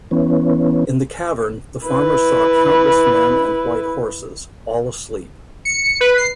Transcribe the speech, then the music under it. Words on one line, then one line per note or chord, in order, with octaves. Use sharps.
In the cavern, the farmer saw countless men and white horses, all asleep.
E3 B3 C#4
E4 B4
C#7
B4
C7